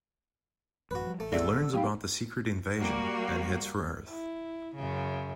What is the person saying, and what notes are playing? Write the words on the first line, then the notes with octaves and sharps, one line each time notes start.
He learns about the Secret Invasion and heads for Earth.
A1 F#2 F#4 B4
F3 G3
A1 A3
D3 A3 G#4 D5 E5 E6
F#3 G#3 B3 D#4 G4 F5 G5
G3 A#3 F#4
E4
F#2 C#3